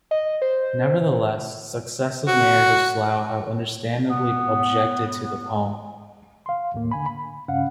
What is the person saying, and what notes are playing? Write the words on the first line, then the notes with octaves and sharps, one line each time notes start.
Nevertheless, successive mayors of Slough have understandably objected to the poem.
D#5
C5
F#4
B3
F5 C6
D#2 A2 A#3
D3 G#5 B5
B5
G2 C#3 C#4 F5 F#5